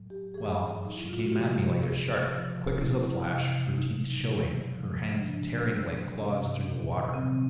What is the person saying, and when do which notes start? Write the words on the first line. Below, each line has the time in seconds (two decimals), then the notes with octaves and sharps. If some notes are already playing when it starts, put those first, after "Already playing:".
Well, she came at me like a shark, quick as a flash, her teeth showing, her hands tearing like claws through the water.
Already playing: A2 F#3
0.10 G4
0.34 A2 E3 G#4
0.83 A2 F#3 D#4
0.96 E4
1.09 F4
1.21 F#4
1.32 C3 F3 G4
1.80 C#3 E3 G#4
2.29 A2 F3
2.77 C3 F3 E4
3.26 C3 E3
3.74 B2 F#3 D#4
4.23 B2 F#3
4.71 C#3 F3
5.19 C#3 F3 D4
5.68 B2 F#3
6.16 C3 E3 C#4
6.65 A#2 F3
7.13 C3 D#3 F#3 C4